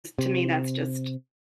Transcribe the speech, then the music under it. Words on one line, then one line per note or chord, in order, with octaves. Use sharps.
to me that's just
C3